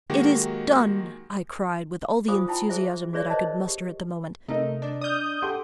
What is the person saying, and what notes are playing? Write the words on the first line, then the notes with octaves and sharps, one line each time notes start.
"It is done!" I cried, with all the enthusiasm that I could muster at the moment.
D#3 F#3 G#3 A#3 F#4 G4
F4 C5 F5 G#5 D6 D#6
E4 F4 G5 A5 B5
G#4 C5 E5
F#4 G#4 B4 C#5 D5 E5
A#4 C5 D#5 A5
G4
C3 A3 D#4 A#4 D#5
D4
D5 D#6 F6 G6
G4 A4 F#5 C6 D6